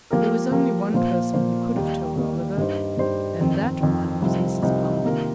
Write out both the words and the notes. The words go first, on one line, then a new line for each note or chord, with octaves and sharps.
There was only one person who could have told Oliver, and that one was Mrs. Bumble.
F3 A#3 G4 A#4
F3 A#3 G4 A#4
A#2 F3 A#3 F4 C5
A#2 F3 A#3 F4 C5
D#2 D#3 G3 A#3
D#2 D#3 G3 A#3
G2 G3 D#4 C5
G2 G3 D#4 C5
F2 D#3 C4
F2 D#3 C4
C2 C3 F3 C4 D#4
C2 C3 F3 C4 D#4
C3 D#3 A#3 F4 A#4